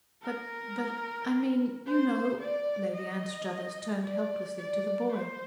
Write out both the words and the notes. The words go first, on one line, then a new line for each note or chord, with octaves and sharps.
"But--but--I mean--you know----" Lady Anstruthers turned helplessly to the boy.
A#4
C5
D5
D#5
D5
D5
C5